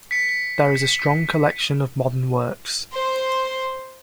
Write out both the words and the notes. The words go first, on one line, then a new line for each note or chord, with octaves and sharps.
There is a strong collection of modern works.
B6 C#7
C5 C6